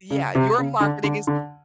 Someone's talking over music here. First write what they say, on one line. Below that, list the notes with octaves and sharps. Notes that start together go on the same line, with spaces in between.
Yeah, your marketing is,
C#3
C3
C#3
D3
D3
D3